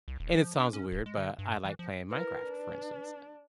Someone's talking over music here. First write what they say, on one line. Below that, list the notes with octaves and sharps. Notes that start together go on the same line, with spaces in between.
and it sounds weird, but I like playing Minecraft, for instance,
C2
D#1
F3
D4
C#4
D1
G#3
D3
G2
E3
F3
E4 A#4 B4
D4